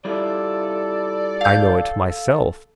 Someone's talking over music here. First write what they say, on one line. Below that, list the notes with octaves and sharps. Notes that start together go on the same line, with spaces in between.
I know it myself.
G3 E4 F4 A4 D5
F5 G6